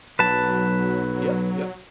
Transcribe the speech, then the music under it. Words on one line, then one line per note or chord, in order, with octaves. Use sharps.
Yep, yep.
B1 F#3 B4 A5